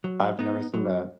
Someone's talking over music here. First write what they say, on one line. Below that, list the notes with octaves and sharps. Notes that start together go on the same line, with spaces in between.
I've never seen that.
F#3
B3 D#4
F#3